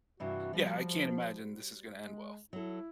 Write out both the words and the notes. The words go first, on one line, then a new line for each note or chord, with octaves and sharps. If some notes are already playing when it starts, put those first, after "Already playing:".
yeah, I can't imagine this is gonna end well.
G2 C3 E3 F#4
F3 G3 F#4 C5
G#3
F#3 E4 A4